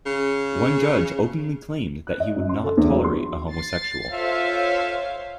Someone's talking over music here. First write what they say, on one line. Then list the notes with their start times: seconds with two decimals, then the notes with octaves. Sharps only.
One judge openly claimed that he "would not tolerate a homosexual".
0.06 C#3
2.07 F#6
2.20 D#5
2.36 F#2
2.49 C6
2.63 A4
2.77 E2
2.90 F#3
3.04 C6
3.51 A6 C7
4.11 F4 A4 C5 C#5 E5 F5